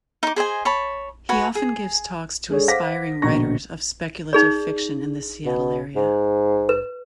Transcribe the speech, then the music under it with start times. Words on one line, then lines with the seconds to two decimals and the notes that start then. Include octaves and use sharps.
He often gives talks to aspiring writers of speculative fiction in the Seattle area.
0.23 D#4 D6
0.36 G#4 C5 D#5 G#5
0.65 C#5 A5 B5
1.29 F#4 B4 G#5
1.55 G#4
2.50 G#3 D4 G#4 A4 C#5
2.68 C5 F5 F#5 D6 A#6 B6
3.22 A#1 B2 D3 A#5 C#6 A#6
4.33 D#4 G#4 D5
5.45 B2
5.96 G#2
6.69 B4